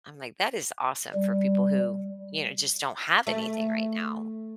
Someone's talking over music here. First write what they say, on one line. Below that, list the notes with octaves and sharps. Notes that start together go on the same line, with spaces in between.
I'm like, "That is awesome for people who, you know, just don't have anything right now.
G3
A3